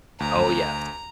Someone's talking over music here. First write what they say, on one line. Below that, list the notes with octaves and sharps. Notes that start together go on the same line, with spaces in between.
Oh, yes.
D2 A#5